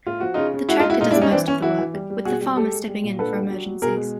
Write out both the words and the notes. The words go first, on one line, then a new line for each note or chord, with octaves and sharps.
The tractor does most of the work, with the farmer stepping in for emergencies.
A2 F4
F3 F#4
C#3 D#4 F4
C#3
G#3 E4 F#4
D#4 F4
G#3
E4 F#4
A#2 D#4 F4
D4 E4
G3
C#4 D#4
E3 C4 D4
E3 C#4
E3 E4 F#4
E3
G3
G3
B2 F#4 G#4
G3
G#3 G4 A4
G#3
G3
A#2
D3 A4 B4
G3
F#3
F#3
B2 G#4 A#4
G#3